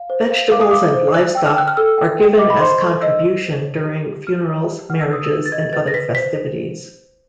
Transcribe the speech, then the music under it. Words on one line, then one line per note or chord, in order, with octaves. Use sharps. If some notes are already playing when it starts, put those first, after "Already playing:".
Vegetables and livestock are given as contribution during funerals, marriages and other festivities.
Already playing: F5
C5
F5
F5 D6
D#6
F5 D6
C5
D5 F#6
G5 E6
F6
G5 F#6
F6
A4 E6
G5
G5
D#5 D6
B5
C5 C6
A4 C#6
D#5 E6
D#5
C5
C#5
G4
G4
G4 F6
C#5
G4
F#5 F6
E6
B4 D#6
E6
B4
A6
D#5 G#6
B4 A6
A#6
B4 B6
C5 B6